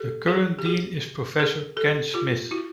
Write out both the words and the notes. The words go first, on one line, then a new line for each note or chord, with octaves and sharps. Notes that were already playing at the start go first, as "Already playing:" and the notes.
The current dean is Professor Ken Smith.
Already playing: G4 A4
F#4 G#4
G4
F#4 G#4
G#4 A#4
G4 A4
F4 G4
E4 F#4